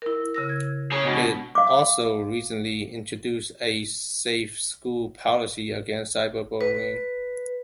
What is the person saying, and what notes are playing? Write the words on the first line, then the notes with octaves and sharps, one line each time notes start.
It also recently introduced a "Safe School Policy" against cyber-bullying.
E4 A#4
C#3 E6 A#6
G#6
G#4 C#5
B2 G#3 D4
F5 D6
B4